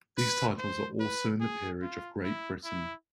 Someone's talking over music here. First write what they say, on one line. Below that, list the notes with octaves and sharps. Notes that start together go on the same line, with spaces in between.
These titles are also in the Peerage of Great Britain.
B4
C5
B4
G#4
F4
E4
E4